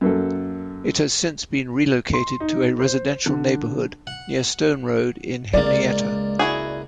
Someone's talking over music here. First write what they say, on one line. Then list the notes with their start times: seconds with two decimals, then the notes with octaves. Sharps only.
It has since been relocated to a residential neighborhood near Stone Road in Henrietta.
0.01 F#2 A#3 A4
2.14 C6
2.40 D#4
2.79 C5
3.26 D3
4.07 F#5
5.54 C#2 G#3 A#3 D5
6.39 E4 F#4 G#4